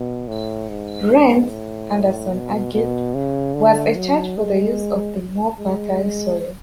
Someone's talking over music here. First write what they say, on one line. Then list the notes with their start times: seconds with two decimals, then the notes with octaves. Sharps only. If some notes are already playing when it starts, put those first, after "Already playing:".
Rent, Anderson argued, was a charge for the use of the more fertile soil.
Already playing: B2
0.28 A2
0.69 G#2
1.50 A2
2.32 B2
2.73 B2
3.15 C#3
3.55 D3
3.96 F#3
4.37 G#3
5.59 G#3